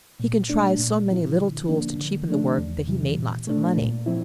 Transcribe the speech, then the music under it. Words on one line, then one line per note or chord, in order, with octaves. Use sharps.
He contrived so many little tools to cheapen the work that he made lots of money.
A#2
A3 D4
A#2
F3 C4 E4
D3
F3 A#3 D4
D3
F3 A3 D4
E2
C3 E3 G3
A#2
A3 D4
A#2
F3 C4 E4